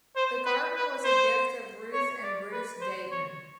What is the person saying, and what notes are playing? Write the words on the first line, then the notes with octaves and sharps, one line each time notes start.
The garden was a gift of Ruth and Bruce Dayton.
C5
B4
B4
C5
C#5
D5
B4
C5
C#5